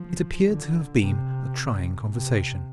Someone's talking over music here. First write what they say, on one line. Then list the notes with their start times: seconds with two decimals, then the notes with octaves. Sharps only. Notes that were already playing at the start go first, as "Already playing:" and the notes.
It appeared to have been a trying conversation.
Already playing: F3
0.46 D3
1.00 C3
2.09 C3